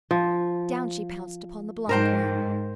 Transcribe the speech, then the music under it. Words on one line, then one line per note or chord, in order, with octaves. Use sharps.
Down she pounced upon the Blindworm.
F3
G#2 A#4 C5 G5